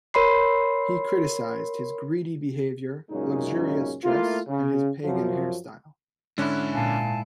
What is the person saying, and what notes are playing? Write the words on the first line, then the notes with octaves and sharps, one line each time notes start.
He criticised his greedy behaviour, luxurious dress and his pagan hair style.
A#4 C#5 B5 C6 C7
F#2 A#2 C#3 G#3 C#4 D#4
A3 A#3 E4 F4
C#3
F#2 F3 F#3
G#2 D3 C#4 D4 E4 F#6
A#2 F5 G#5 A5